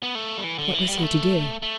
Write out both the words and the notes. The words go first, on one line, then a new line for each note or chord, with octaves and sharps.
What was he to do?
B3
A3
G3
E3
D3
E3
G3
B3
A3
A3